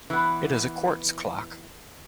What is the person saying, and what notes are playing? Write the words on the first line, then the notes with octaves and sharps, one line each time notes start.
It is a quartz clock.
E3 B3